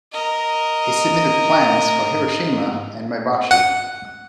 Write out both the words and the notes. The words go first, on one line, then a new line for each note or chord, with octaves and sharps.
He submitted plans for Hiroshima and Maebashi.
A#4 D#5
F#5